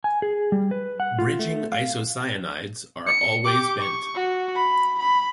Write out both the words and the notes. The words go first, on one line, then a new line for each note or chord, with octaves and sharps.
Bridging isocyanides are always bent.
G#5
G#4
G3
B4
F#5
F4
A3
F5
C#7
G4 D6
C#6
F#4
B5
B5